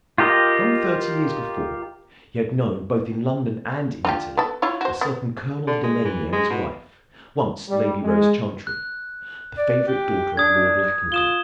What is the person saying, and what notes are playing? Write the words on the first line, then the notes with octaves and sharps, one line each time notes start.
Some thirty years before, he had known, both in London and in Italy, a certain Colonel Delaney and his wife, once Lady Rose Chantrey, the favorite daughter of Lord Lackington.
F4 G4 A#4 D#5
D4 F4 G4
B3 A4
E4 F4 C#5
F#4 C5
B3
D3
G#3
E3
G#3
B2
G3
G#3
F#6
D5
G4
D4 D#6 G#6
F4 D#6 E7 G7